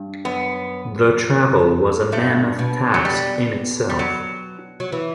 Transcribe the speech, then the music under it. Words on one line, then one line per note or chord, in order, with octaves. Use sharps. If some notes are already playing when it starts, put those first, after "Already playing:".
The travel was a mammoth task in itself.
Already playing: G2
F#2 B3
G2 A3
B2
F#3
G3
G3
F#3
F#3
E3